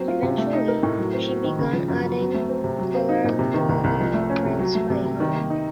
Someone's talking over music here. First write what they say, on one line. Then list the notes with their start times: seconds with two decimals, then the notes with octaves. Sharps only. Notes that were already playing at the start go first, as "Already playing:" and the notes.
Eventually, she began adding color to her prints by hand.
Already playing: F#3 C4
0.08 F4
0.23 C3
0.38 A3
0.53 D#4
0.68 A#4
0.83 A2
0.98 F#3
1.14 C4
1.28 F#4
1.44 D#3
1.59 C#3
1.73 F3
1.88 F#2
2.04 F#2
2.18 F#3
2.34 A3
2.49 C4
2.64 C3
2.78 F#3
2.95 C4
3.09 D#4
3.24 A#2
3.39 C3
3.54 D#3
3.69 C2
3.84 C2
4.00 F3
4.14 A3
4.30 C#4
4.45 C3
4.59 F#3
4.75 A3
4.90 C3
5.05 C3
5.20 D#3
5.35 A#3
5.50 D#4